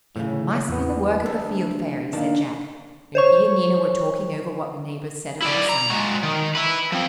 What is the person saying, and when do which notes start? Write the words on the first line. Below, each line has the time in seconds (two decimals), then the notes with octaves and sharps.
"It must be the work of the Field Fairy," said Jack when he and Nina were talking over what the neighbors said about Simon.
0.16 A2 C#3
0.69 E2 B3
1.26 D2 A4
2.13 D#3 A#3 D4
3.15 C5 C#5 C#6
5.42 E4 D5
5.69 A#5
5.90 G#3 F#4
6.23 D#3
6.55 E4 B4
6.92 F3 C4